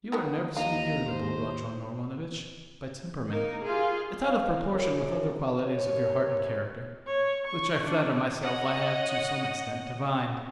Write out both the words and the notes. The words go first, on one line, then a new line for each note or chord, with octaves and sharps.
You are nervously irritable, Rodion Romanovitch, by temperament; it's out of proportion with other qualities of your heart and character, which I flatter myself I have to some extent divined.
D#3 A#3 B3
D#2 D#5 F5 A#5
C5
A#3 D#4 A#4
F4 G4 G#4 F5
C4 D#4 F5
F#2
D#2 C#5
C#5
C#6
D4
C#5 D#5 F#5